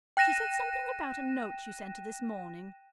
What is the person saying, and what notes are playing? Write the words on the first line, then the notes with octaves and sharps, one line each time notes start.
She said something about a note you sent her this morning.
G5 F#6 A#6 D#7 E7